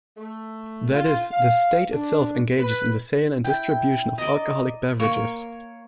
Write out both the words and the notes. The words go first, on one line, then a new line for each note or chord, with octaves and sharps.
That is, the state itself engages in the sale and distribution of alcoholic beverages.
A3
F4
F5
D4
B4
E4 G5
D5 D#5 A#5
A#3 C#5